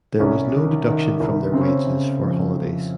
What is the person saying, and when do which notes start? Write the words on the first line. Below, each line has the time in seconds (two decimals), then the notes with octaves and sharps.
There was no deduction from their wages for holidays.
0.19 C2 C#4
0.54 D#3
0.87 D#3
1.20 C2
1.53 C#3 C4
1.61 C#4
1.68 C4
1.86 C#3
2.20 F2
2.53 F2